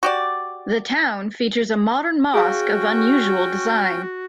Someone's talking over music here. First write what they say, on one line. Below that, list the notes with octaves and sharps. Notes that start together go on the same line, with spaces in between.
The town features a modern mosque of unusual design.
F#4 G4 D5
C#4 F#4 G#4 F5 G5